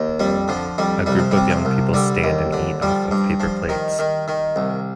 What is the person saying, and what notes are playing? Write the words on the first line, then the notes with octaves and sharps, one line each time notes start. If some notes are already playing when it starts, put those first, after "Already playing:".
A group of young people stand and eat off of paper plates.
Already playing: D#2
F2 G3
D3 F3
F2 G3
C2 G3
F3
C3 G3
F3
C2
D3 G3
D#2
D3
F3 G3
G2
F3
D#3
D#3
D#3
C2